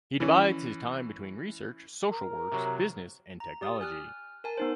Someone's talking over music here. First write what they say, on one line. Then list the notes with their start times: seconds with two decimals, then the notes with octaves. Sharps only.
He divides his time between research, social works, business and technology.
0.20 E3 C#4
2.11 A#4
2.52 C3 F#3
3.40 A#5
3.61 G4 D5 D#6
3.81 G#5 F6 F#6
4.44 A#4 G#5 A5
4.58 B3 D#4 C5